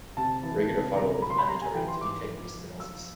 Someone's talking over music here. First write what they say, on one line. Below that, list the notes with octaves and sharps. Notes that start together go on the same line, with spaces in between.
Regular follow-up is mandatory, to detect restenosis.
C3 A5
E3
C3
C3 A#5
C3 B5
C6
B5
G3 A#5
G#5
E3 G5
C6
G#2 D6
F3
F3
F3 E6